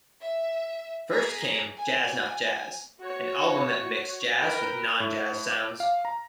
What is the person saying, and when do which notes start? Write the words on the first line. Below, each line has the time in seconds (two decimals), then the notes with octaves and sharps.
First came "JazzNotJazz", an album that mixed jazz with non-jazz sounds.
0.21 E5
1.11 G#4 A#5 D#6 G#6 A#6 B6
1.77 G#5
2.99 F#4 C#5
4.36 A#4 B4 G5
5.00 A2
5.51 D6
5.80 F5
6.05 A#5